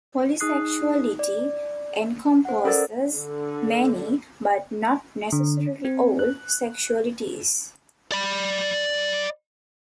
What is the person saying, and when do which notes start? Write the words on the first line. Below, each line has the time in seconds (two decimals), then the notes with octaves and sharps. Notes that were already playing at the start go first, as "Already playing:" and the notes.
Polysexuality encompasses many, but not necessarily all, sexualities.
0.40 D#4 G#4 D#6 F#6 C7
1.19 D5
2.45 C5 F#5
2.64 C#4 A4 A#4 D5 E6 A6
3.16 D3
5.32 D3
5.85 C4
6.19 F#6
8.12 D5 B5